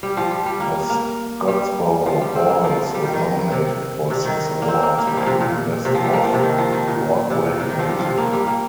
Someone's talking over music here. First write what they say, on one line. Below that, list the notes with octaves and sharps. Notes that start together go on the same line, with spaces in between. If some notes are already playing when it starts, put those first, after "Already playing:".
"The Scottsboro Boys" was nominated for six awards, including Best Off-Broadway musical.
G3
F3
G3
G3
A#3
A#3
G3
F3
G3
C4
A#3
F3
G3
D#3
D#3
C3
C3
D#3
A#3
C4
A#3
A#3
G3
F3
C3
A#2
C3
F3
G3
A#3
F3
C3
D#3
F3
D#3
A#2
C3
A#2
C3
D#3
F3
G3
F3
C3
A#3
G3
A#3